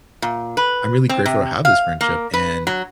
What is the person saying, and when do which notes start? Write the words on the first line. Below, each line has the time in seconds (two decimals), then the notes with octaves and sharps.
I'm really grateful to have this friendship, and
0.22 A#2
0.57 B4
1.09 C4
1.26 C3
1.65 F5
2.01 A#3
2.33 B4
2.67 F#3